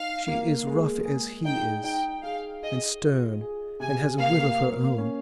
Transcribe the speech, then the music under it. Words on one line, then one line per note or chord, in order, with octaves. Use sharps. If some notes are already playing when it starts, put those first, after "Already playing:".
She is rough as he is, and stern, and has a will of her own.
Already playing: D#4 F5
A#3
G#3
G#4
D#4 G5
D#4 G5
G#4 F5
G#4 D#5
F4
G#4
C3 G#5
A#3 F5
A#3
C#4